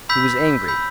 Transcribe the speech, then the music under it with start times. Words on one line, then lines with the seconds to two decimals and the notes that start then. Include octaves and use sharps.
He was angry.
0.09 B5 E6 G6 B6
0.68 B5 E6 G6